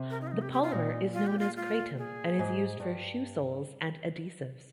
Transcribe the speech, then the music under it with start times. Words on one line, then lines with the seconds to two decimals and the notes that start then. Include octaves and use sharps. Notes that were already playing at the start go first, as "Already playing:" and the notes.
The polymer is known as Kraton and is used for shoe soles and adhesives.
Already playing: C3
0.10 A#4
0.21 D#4
0.27 F4
0.31 D#4
0.42 G4
0.52 G4
0.63 F4
0.72 A#2 D#4
1.14 F4
1.27 G4
1.39 F4
1.56 F4
1.98 G#4
2.39 G#2
2.80 G2